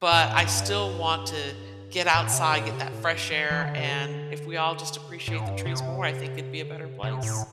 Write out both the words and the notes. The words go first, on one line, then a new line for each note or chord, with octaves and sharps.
but I still want to get outside, get that fresh air. And if we all just appreciate the trees more, I think it'd be a better place.
A2
G2
A2
A2
C3
A2
C3
A2
G2
E3
E3
D3
C3
D3
C3
A2
G2
C3
D3
C3
C3
A2